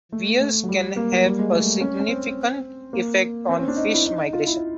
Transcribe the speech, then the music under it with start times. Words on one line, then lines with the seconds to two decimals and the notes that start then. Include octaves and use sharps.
Weirs can have a significant effect on fish migration.
0.12 A3
0.41 A3
0.63 F#3
0.68 G3
0.96 A#3
1.12 F#3
1.26 G3
1.39 G#3
1.53 A3
1.81 C#4
2.00 C#4
2.08 C4
2.93 A#3
3.49 C4
3.58 C#4
3.68 D4
3.77 D#4
3.94 E4
4.05 D#4
4.33 F4
4.47 E4